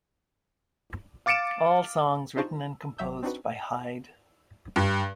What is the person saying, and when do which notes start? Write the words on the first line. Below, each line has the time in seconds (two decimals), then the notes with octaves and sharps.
All songs written and composed by Hyde.
1.26 F5 D6 A6 C#7 D7 E7
2.36 D4 D#4 F4 C5 A5 C#6
2.98 G#1 F#3 E5 E6 G6
3.23 C4 D4 D#4 F#4 B4
4.76 G2